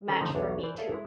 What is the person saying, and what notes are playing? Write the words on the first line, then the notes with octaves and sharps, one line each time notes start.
match for me too."
D#3 C#4 D#4 A4 C5 D#5
D3 D#3 F3 A3 C4 D#4
B1 E2 D4 C#5
E3 C5 D5
G#4 A4 C#5 D5 E5 F5
G#3 E4